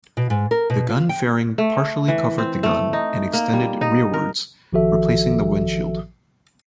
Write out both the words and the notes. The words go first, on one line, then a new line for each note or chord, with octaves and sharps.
The gun fairing partially covered the gun and extended rearwards, replacing the windshield.
B2
G#2
A#4
B2
F4
G5
A3
E3
C4
A3
D#4
A#3
G3
D#4
A#4
A1 D#3 F3 F#4 A4 E5